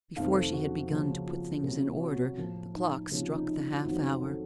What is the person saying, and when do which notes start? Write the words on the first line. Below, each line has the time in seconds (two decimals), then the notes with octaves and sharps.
Before she had begun to put things in order, the clock struck the half-hour.
0.16 F1 F2 D#3 A3 C4 F5
0.28 A4
0.53 F#4
0.89 C#2 C#3 F3 A#3
1.27 F4
1.62 C2 C3 F#3 A#3 C#4 F4
2.00 F#4
2.37 A2 F3 A#3 F4
2.74 D#4
3.10 C#2 C3 F3 A#3 C#4 D#4
3.21 F4
3.33 D#4
3.46 D#4
3.72 F4
3.83 F2 D#3 F#3 F#4
4.20 A4